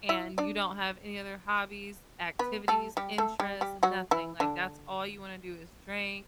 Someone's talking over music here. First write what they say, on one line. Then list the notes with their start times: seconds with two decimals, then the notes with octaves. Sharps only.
and, you don't have any other hobbies, activities, interests, nothing, like, that's all you wanna do is drink,
0.09 E4 E5
0.38 D4 D5
2.39 B3 B4
2.68 A3 A4
2.97 G3 G4
3.18 A3 A4
3.40 G3 G4
3.61 G3 G4
3.83 F#3 F#4
4.11 E3 E4
4.40 D3 D4